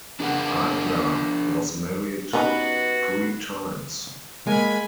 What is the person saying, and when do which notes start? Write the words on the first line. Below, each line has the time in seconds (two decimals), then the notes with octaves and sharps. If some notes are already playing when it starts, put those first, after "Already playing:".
Adler was married three times.
0.20 D4 G#4 A#4 F#5
2.33 G3 B3 C#4 D#4 F#4
4.47 G#3 A#3 G#5 B5